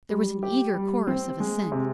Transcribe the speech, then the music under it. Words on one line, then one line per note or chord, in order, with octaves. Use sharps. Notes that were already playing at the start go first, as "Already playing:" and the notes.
There was an eager chorus of assent.
G3
G4
G3
C4
G#3
C3